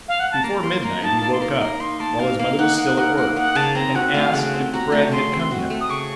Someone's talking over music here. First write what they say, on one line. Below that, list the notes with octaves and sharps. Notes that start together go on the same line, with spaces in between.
Before midnight he woke up, while his mother was still at work, and asked if the bread had come yet.
F5
F#5
A5
A#3 A#5
A#4 C6
A#3 A#5
D#4 A5
A#3 A5
C6
A#4 A#5
A#3 A#5
D#4 C6
A#3 A5
A#4 F5
A#3 F5
D#4 F#5
A#3 F#5
A#4 F#5
A#3 F#5
D#4 F#5
C#3 A5
C4 A#5
F#4 F#5
A3 F5
C#3 F#5
C4
F#4 A#5
A3
C#3 C6
C4
F#4
A3
D#6
C#3 C#6